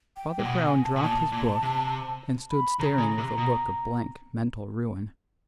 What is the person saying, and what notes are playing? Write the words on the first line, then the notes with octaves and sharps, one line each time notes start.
Father Brown dropped his book and stood staring with a look of blank mental ruin.
G5
A#2
B2 F#5
G#5
A5
B2
A#2 A5
A#2
C3
B5
C#3 A#5
C#3
C3
B2